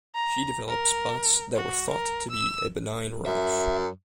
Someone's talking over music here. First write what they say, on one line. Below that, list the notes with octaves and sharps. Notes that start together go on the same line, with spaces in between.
She developed spots that were thought to be a benign rash.
A#5
A#4
F#4
A#4
E6
F#2 E5